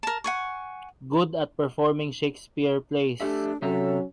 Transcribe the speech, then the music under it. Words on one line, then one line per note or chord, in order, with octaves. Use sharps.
Good at performing Shakespeare plays.
A#4 A5
F#5 G#5 C#6
A3 D4 G4 E5
C3 F#3 C#4 A4 E5 A#5